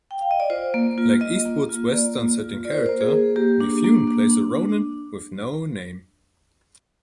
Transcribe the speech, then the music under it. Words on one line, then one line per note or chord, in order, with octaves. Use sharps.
Like Eastwood's western setting character, Mifune plays a ronin with no name.
G5
F5
D#5
D5
F4 C5
A#3
F4
F4 D#5
A#3
F4
A#3 D5
F4
F4
F4 D5
C5
A#4
C5
A#3
G#4
A#3
A#3 G4
D4
A#3
D4
D4
D4